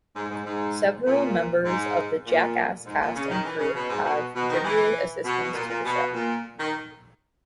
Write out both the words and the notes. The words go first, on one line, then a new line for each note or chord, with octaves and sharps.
Several members of the "Jackass" cast and crew have contributed assistance to the show.
G#2
G#2
G#2
A#2
G#2
A#2
G#2
A#2
C#3
D#3
E3
C#3
B2
G#2
B2
B2
D#3
E3
B2
B2
A#2
A#2
B2
A#2
D#3